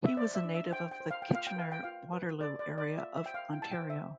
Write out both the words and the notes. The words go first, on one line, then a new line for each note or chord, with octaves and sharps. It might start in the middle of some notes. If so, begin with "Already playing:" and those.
He was a native of the Kitchener-Waterloo area of Ontario.
E5
C5 D5
E5
D4
E5
C5 G5
G5
C5
F5
G5
F4
F5
G5
B4 F5
G5
F4 F5
B4
A4 D5
D5
A4
D5
F4 E5
E5
C5 G5
F5
E4 G5
A5
G5
C5
E5